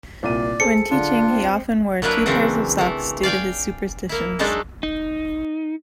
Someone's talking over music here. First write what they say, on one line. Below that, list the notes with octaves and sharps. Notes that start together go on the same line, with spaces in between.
When teaching he often wore two pairs of socks due to his superstitions.
C2 A#2 D5 D#7
G#4 A4 C5 C#7
D3 D4 F4
C4
F#3 A#3 D4 E4 B4
C#3 E3 F#3 A#3 C4 D4
E3 A3
D5 F5 G5 G#5
A#3 E4
F#3 G#3 A3 D4 D#4 A4
D#4